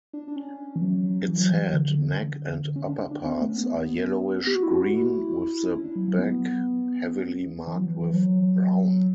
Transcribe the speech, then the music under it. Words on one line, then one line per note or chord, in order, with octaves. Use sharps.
Its head, neck and upperparts are yellowish-green, with the back heavily marked with brown.
D4
D4
C#4
E3
F#3
E3
F#3
E3
D3
C#3
D3
D3
C#4
D4
D4
B3
A3
C#4
B3
G4
F#4
E4
F#4
E4
C#4
D4
F#3
F#3
B3
E3
F#3
E3
F#3